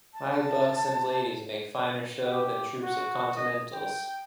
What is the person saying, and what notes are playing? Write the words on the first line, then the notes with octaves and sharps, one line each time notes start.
High bucks and ladies make finer show than troops of Continentals.
A5
G4
F#4
D#5
G5